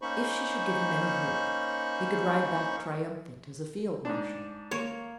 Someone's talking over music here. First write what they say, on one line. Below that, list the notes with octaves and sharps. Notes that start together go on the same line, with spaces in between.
If she should give him any hope, he could ride back triumphant as a field-marshal.
A#3 C#4 D#4 C5 B5 C#6
G#2 D4
A#3 C#5